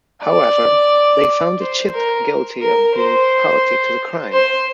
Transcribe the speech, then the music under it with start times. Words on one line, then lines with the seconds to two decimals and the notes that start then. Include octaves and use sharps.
However, they found Chit guilty of being party to the crime.
0.24 D5
1.60 C5
1.94 A#4
2.62 A#4
2.96 C5
4.33 C5